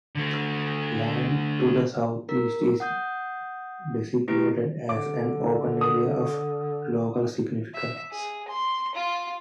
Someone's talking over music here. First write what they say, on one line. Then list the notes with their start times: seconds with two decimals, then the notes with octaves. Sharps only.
Land to the south-east is designated as an open area of local significance.
0.15 D3 A3
2.29 A#4
2.80 F#5 D#6 G6
4.28 A3 E4 G4 B4 D7
4.89 D3 D6
5.81 D#6
7.74 E5
8.11 G#4
8.48 C6
8.95 F4